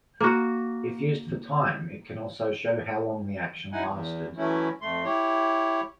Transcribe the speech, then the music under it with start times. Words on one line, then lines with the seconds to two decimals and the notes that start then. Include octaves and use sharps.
If used for time, it can also show how long the action lasted.
0.20 A#3 F#4
3.73 D#4 E4 F#5 G#5
3.89 E2
4.37 E3 F#3 A3 C#4 E4
4.82 F2 A3 C6
5.05 E4 G4 C#5